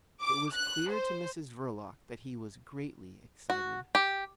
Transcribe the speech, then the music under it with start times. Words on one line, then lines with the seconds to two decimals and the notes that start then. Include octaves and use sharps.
It was clear to Mrs Verloc that he was greatly excited.
0.22 D6
0.52 F#6
0.91 C5
3.50 F#4
3.95 G4